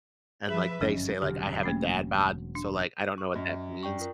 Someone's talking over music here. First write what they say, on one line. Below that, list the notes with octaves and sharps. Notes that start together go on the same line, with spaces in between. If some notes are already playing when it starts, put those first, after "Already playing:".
and, like, they say, like, I have a dad bod, so, like, I don't know what that means.
F3 G#4 B4 E5
G1 F#2 C#3 F3 C#4
E1 D3 F#3 G4
A3 A#3 C#4
D4
C#6
F#2 D#5
D5 G5 C#6
F4 A#4